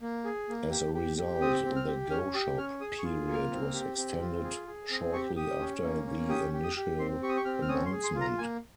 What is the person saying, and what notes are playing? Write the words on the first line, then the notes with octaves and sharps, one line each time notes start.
As a result, the "go-shop" period was extended shortly after the initial announcement.
A#3
G#4
A#3
G4
G4
G4
C4 D#6
C4
F6
G4
C#4 F6
G4 D#6
C#4 F6
G#4 D#6
C#6
F4
A#3
F6
C4
G4
C4
F4
G#4
G#4
C4 D#6
G4 C#6
G4 D#6
C#4
A#3
C#4
G4 D#6
G4
D#6
G4
C4 C6
G4 C#6
D#6
C#6
C4 F6
F6
C#4 D#6
C6
G#4
C6
F4
A#5
A#3 G#5